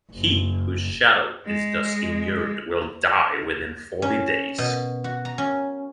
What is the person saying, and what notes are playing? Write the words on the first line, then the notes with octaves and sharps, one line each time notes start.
He whose shadow is thus immured will die within forty days.
F#1
G#3
C#4
B2
F#4
A#5
C#4